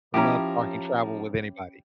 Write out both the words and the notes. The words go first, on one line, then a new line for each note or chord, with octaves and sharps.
I love talking travel with anybody.
F3 C#4 E4 G4 A#5